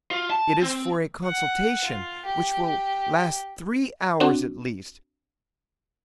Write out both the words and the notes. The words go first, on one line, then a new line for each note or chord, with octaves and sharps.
It is for a consultation, which will last three hours at least.
F4
A5
C4
F#5
F4
G4
C4 D4 F#4